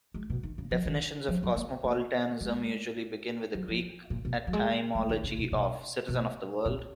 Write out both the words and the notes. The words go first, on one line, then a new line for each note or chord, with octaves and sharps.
Definitions of cosmopolitanism usually begin with the Greek etymology of "citizen of the world".
G#3
B2
D#3
C#3
F3
D#3
F3
F#3
A#3
A#3
G#3
F#3
F3
A#2
B2
F#3
G#3
G#3
D#3
C#3
B2
B2
B2
A#2